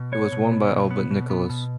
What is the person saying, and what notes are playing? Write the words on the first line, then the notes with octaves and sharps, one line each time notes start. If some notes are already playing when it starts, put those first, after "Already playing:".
It was won by Albert Nicholas.
Already playing: B2
B3 C#5
B2
B3
B2
B3
B2
B3
B2